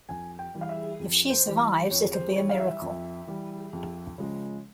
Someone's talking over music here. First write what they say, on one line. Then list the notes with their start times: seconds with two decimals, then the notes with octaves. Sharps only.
If she survives, it'll be a miracle.
0.09 F2 G#5
0.39 G5
0.54 E3 G3
0.61 F5
0.69 E5
1.00 F2
1.30 C5
1.45 E3 G3
1.91 F2 C#5
2.14 C5
2.36 E3 G3 C#5
2.49 F5
2.59 E5
2.82 F2
3.27 E3 G3
3.73 F2
4.18 C#3 F3 G#3